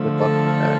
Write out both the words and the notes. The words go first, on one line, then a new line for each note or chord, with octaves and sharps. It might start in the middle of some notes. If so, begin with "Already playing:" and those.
Good luck with that.
Already playing: D3 F3 A3
A4